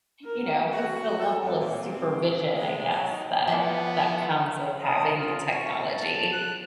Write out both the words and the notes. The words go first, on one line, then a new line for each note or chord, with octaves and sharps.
you know, what's the level of supervision, I guess, that that comes with having the technology?
A#4
F#4
A4
F2
A#2
C4
G#3
F#3
D#4
F3 B3 E4 D5 F5 A5
D#6
F4
C#6
A5
F#6